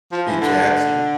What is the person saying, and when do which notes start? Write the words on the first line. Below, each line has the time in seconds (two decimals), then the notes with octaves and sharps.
It jabs you.
0.12 F3
0.27 E3
0.41 D3